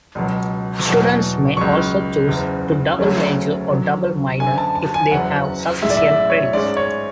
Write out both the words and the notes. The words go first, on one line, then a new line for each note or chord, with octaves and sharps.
Students may also choose to double-major or double-minor if they have sufficient credits.
C#2 B2 F#3
E2 B2 F#3
C#2 C#3 F#3 C#6
F#1 E2 C#3
D2 C#3 F#3 A3 C#4
D2 D3 F#3
F#1 F#2 D3 G#5
A5
A5
G#5
F#1 E2 C#3 F#3 F#5
B1 A2 G#3 E5
D5
E5
D5
C#5
G#2 G#3 C#4 D5
C#5